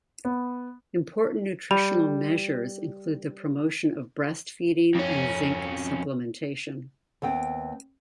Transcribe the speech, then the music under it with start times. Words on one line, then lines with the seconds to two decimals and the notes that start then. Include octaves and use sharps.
Important nutritional measures include the promotion of breastfeeding and zinc supplementation.
0.25 B3
1.71 G3 G4 B5 F7
4.95 F2 C#4
7.22 D#2 B3 C4 G5